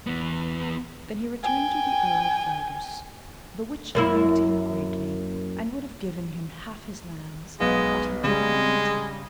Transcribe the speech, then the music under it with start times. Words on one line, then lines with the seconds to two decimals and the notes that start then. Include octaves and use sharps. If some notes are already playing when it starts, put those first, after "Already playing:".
Then he returned to the Earl Fergus, the which thanked him greatly, and would have given him half his lands, but he would none take.
0.07 E2 B3
1.43 G5 G#5
3.95 F#2 A#3 E4
7.60 B1 G#3 B3 F5
8.24 C#3 G3 G#3